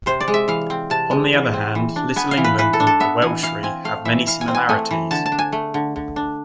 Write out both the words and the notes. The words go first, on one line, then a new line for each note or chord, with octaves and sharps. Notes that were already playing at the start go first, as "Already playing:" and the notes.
On the other hand, Little England and the Welshry have many similarities.
C3 C5
D5
G#3
E5
E3 F5
C4
C3 A5
G#3
E3
C4
E3
D4
B3 G#5
F5
E3
B4
E3 B4
A4
D4
A4
B3 E5
E3 G#5
E3 F5
C4 G#5
A3 F5
E3 E5
E3 F5
G#5
C4
G#5
A3 G#5
E3
D3 A5
A5
D4
G#5
A3
D3
D3
D4